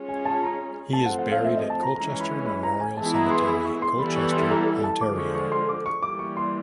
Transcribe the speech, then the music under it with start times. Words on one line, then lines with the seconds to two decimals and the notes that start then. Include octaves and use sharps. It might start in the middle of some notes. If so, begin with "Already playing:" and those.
He is buried at Colchester Memorial Cemetery, Colchester, Ontario.
Already playing: G#3 C#4 F4
0.09 G#5
0.25 A5
0.42 A#5
0.93 F3 A3 C4 F4 A4 A5
1.06 F#5
1.19 F#5
1.32 F5
1.44 E5
1.57 D#5
1.70 A5
1.83 A#5
1.95 E3 G#3 C#4 A#5
2.20 B5
2.46 B5
2.63 A#5
2.80 G#5
2.97 E3 G#3 B3 E4 G#4 A5
3.14 A#5
3.26 B5
3.31 C6
3.48 B5
3.65 C#6
3.82 C6
3.99 E3 G3 B3 E4 A4 B5
4.16 C#6
4.33 C6
4.50 A#5
4.84 A5
5.01 D3 F3 G#3 D6
5.18 C#6
5.35 C#6
5.52 C6
5.69 D6
5.86 C#6
6.03 E3 G3 A#3 D6
6.19 C#6
6.37 C6